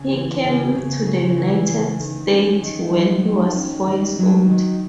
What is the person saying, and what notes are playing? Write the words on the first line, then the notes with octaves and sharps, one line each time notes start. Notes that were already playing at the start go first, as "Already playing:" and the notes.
He came to the United States when he was four years old.
Already playing: C#3
E3
C#3
C#3
C#3
E3
C#3
D#3
C#4
D#3
F#3
D#3
C#4
D#3
F#3
D#3